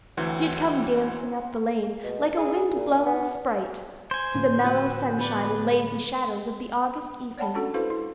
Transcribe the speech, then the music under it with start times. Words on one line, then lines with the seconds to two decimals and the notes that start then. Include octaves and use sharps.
She had come dancing up the lane, like a wind-blown sprite, through the mellow sunshine and lazy shadows of the August evening.
0.17 D2 E3 F#3 C4 G5
2.04 B2
2.38 G#4
2.75 A#2
3.06 B3
4.11 C5 G#5
4.34 A2 D3 F3
4.64 F#4 B4
5.19 B3 B4 D5
7.38 C#5 D5 F#5 G5 A5 B5
7.54 C#4 D4 F#4 A4 F#5
7.74 E4 F#4 A4 B4 C5 F5
7.90 E4